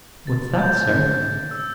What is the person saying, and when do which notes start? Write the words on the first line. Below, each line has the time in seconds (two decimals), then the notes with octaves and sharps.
"What's that, sir?"
0.27 A6
0.59 G6
0.74 G6
1.51 E6